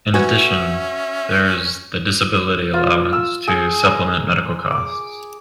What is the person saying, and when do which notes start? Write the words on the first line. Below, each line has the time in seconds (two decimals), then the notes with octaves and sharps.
In addition, there is the Disability Allowance, to supplement medical costs.
0.14 C#4 F#4 B4 E5 G#5
2.73 F4
3.13 E6
3.47 G#4
3.85 A#5
4.72 D6